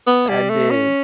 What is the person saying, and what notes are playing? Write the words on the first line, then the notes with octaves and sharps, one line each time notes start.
I did.
B3
G3
A3
C#4